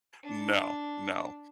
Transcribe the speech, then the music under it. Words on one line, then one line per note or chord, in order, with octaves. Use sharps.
No, no,
D4